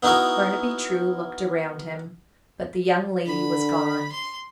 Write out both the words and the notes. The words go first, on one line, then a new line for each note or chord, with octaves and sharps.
Barnaby True looked around him, but the young lady was gone.
B3 D#4 E4 F#4 A#4
D3 B5
C6